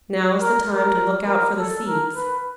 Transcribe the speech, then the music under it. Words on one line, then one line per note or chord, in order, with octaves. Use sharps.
Now is the time to look out for the seeds.
A#4
A#4
A#4
A4
A#4
B4